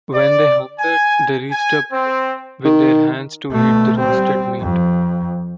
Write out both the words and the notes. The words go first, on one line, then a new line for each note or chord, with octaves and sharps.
When they hungered, they reached up with their hands to eat the roasted meat.
D5
G#5
G#5
C4
D#3
B2 A3
G3 C4
F2